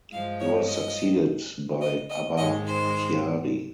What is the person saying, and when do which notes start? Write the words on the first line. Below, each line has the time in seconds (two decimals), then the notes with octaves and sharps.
He was succeeded by Abba Kyari.
0.12 G2 F3 G#3 F5
0.40 C#5
0.68 D#5
1.81 D#5
2.10 D#5
2.37 G#2 D#3 G#3 D#5
2.66 C5